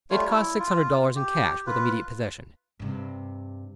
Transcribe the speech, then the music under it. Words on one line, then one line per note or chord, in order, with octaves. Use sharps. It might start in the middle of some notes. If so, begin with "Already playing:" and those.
It cost six hundred dollars in cash, with immediate possession.
G3 A3 F4 C#5
E4
F4
G4
F4 B4
G2 C3